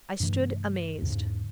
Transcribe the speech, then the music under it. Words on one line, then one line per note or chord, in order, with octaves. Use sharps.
I stood amazed.
G2 C3 E3 A3
E2 G#2 C#3